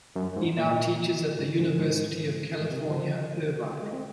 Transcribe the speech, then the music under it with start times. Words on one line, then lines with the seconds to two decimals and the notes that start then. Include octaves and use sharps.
He now teaches at the University of California, Irvine.
0.16 F#2
0.36 G#2
0.57 A#2
1.38 G#2
1.59 G#2
1.79 G#2
2.60 G#2
2.71 C3
2.81 D#3
2.90 F3
3.82 G#3
3.93 C4